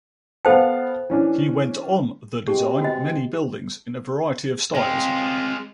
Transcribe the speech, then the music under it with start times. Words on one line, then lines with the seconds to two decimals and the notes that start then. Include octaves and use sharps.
He went on the design many buildings in a variety of styles.
0.45 B3 A4 C5 F5 G5 A5
1.10 E3 C#4 D4
2.48 B2 G#3 C4 G4
2.81 F#4 D#5
4.75 C3 G#3 C4 F4